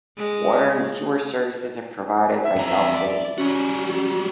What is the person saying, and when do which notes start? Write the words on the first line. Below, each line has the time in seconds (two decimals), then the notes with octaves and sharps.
Water and sewer services are provided by Del City.
0.17 G#3
2.44 E5
2.56 F2 A#5
2.95 D5
3.38 G3 C#4 F#4